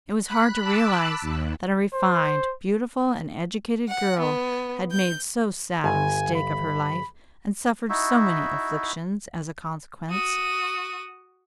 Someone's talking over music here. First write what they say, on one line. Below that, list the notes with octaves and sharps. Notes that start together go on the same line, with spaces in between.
It was hard to realize that a refined, beautiful and educated girl had made so sad a mistake of her life and suffered so many afflictions as a consequence.
B5 F#6
A5 B5 D6 E6 F#6
D#2
C5
F#5
B3
G6
G1 G#5
B5
D#4 E4 F#4 E5
F#4 D#6